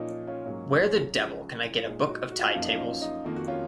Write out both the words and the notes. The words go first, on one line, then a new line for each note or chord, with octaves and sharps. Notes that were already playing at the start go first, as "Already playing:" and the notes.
Where the devil can I get a book of tide tables?
Already playing: A#2 F3 A#3 C#4 D#4
D#4
C#4 F4
G#2 F#3 A#3 C#4
C#2 C#3 F3 G#3
F4
A#2 G#3 D#4
D#4 F#4
F#4
F4
D#4 F#4
F#2 F3 A#3 F4
D#4
C#4 F4
D#4
D#4
F2 D#3 A#3 F4
F#4
C#4 F4